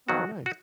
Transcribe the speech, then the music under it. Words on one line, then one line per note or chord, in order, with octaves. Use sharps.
Oh, nice.
F2 D#3 F#3 F#4
F#4